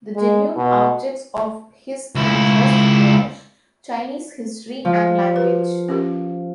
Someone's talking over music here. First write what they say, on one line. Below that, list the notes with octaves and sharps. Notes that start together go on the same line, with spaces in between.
The genuine objects of his interest were Chinese history and language.
G#3
B2
C#2 E4
F3
G4 B4
C#4 G4 A#4